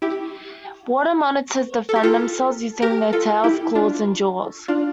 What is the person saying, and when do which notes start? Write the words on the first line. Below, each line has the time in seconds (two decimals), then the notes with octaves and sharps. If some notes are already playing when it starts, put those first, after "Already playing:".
Water monitors defend themselves using their tails, claws, and jaws.
0.02 E4 G4
1.89 A4
1.96 G4
2.03 F4 A4
2.82 G4 A#4
3.13 F4 A4
3.44 E4 G4
3.75 D4 F4
4.68 D4 F4